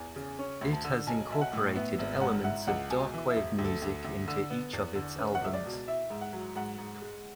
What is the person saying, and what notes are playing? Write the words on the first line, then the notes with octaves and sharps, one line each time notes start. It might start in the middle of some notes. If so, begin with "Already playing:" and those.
It has incorporated elements of darkwave music into each of its albums.
Already playing: E2 G#5
C#3
C#4
D2
A5
D3
B1 G#5
B1 E5
F#5
A2
B3 E5
G#1 E5
G#2 F#5
E4 F#5
C#2 F#5
B2 G#5
E3
E5
E1
D2
A4
D2
D2
D3
B3
E2
D3
C#4 B4
F#5
C#2 E5
D5
B2
E4 E5
G#2
F#5
F#3
G#2 F#5
G#2
G#3